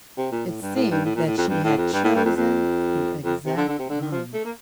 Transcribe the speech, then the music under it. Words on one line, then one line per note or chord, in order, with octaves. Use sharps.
It seemed that she had chosen the exact moment.
C3
A#2
A2
G2
A2
G2
A2
A#2
A2
F2
G2
A2
F2
G2
A2
G2
F2
F2
F2
C3
D3
D3
C3
D3
D#3
F3
A3
A#3